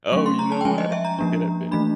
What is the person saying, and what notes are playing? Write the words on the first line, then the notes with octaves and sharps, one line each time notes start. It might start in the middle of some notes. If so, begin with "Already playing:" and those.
Oh, you know what? It could have been.
F#3 A3 C#4 C#6
C6
A#5
A5
G5
F3 G#3 C#4 G#5
D#5
E5
A#5
F3 A#3 D4
E3 A3 D4 B5